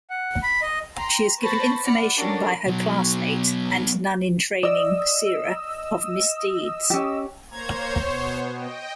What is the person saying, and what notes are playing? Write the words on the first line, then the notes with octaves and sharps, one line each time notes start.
She is given information by her classmate, and nun-in-training, Seira, of misdeeds.
F#5
B5
D#5
G5 A#5 C6
B4 C5 A5 B5 C#6 A#6
D5 F#5 B5 F6 C#7
C#4 D4 F#4 G4 A4 A#4
B2 F#3
D5 D#5 E6
C#4 G4
A#3 C5 C#5 A#5 G#6
B2 B3
D#5 G5